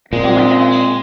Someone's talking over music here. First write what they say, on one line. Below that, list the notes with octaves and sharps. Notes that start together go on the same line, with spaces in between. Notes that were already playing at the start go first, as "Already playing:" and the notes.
Oh my gosh.
A#2 G#3 C4